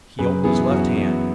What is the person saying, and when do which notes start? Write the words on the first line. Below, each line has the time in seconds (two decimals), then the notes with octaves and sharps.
He opened his left hand.
0.19 F#2 G#4 B4
0.44 E3 B3 E4 G#4
0.70 F#2 F#4
0.96 E3 B3 E4